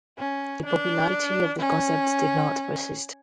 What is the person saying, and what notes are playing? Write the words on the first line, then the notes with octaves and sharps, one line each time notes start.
The popularity of the concept did not persist.
C#4
D4
C#4